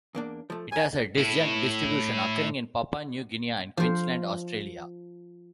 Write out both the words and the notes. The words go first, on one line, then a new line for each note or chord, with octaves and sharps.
It has a disjunct distribution, occurring in Papua New Guinea and Queensland, Australia.
E2 A#3 D4
F3 A3
A2 A#4 G#5
A2 E4
F3 C5